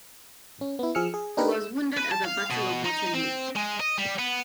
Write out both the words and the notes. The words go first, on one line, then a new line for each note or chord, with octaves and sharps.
He was wounded at the Battle of Waterloo.
C#4
B3 E4
F3 G#4 E6 F6 C#7
G#4
D4 D#4 G4 A#4 B4
E6
B4
A5
F5
B2
D#4
C4
G#3
D#5
G3
B3